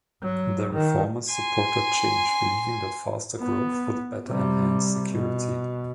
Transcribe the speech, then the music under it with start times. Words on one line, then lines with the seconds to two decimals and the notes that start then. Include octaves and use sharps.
The reformers supported change, believing that faster growth would better enhance security.
0.22 F#3
0.74 D#3
1.31 G#5 C6
3.39 B3
4.28 C3 G3
5.12 B2